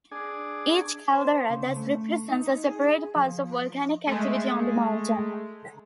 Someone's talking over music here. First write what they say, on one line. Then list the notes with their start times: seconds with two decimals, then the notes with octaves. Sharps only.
Each caldera thus represents a separate pulse of volcanic activity on the mountain.
0.11 D4 G#4
1.13 C5
1.50 C#3
1.76 A3
2.29 D#4
2.67 G#4
3.16 F3
4.07 G#3 A3